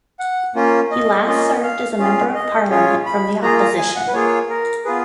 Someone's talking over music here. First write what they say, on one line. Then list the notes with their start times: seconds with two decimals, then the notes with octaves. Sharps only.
He last served as a member of parliament from the opposition.
0.19 F#5
0.55 A#3 C#4 F4
0.91 D#5
1.27 A#3 C#4 F4 D#5
1.63 F5
1.98 C#4 F4 G#4 F5
2.35 D#5
2.70 C#4 F4 G#4 C#5
3.06 B5
3.42 A#3 F4 G#4 A#5
3.60 A#5
3.78 G#5
3.96 F#5
4.08 B4
4.14 A#3 F4 G#4 C#5
4.50 A#4
4.85 B3 F4 G#4 B4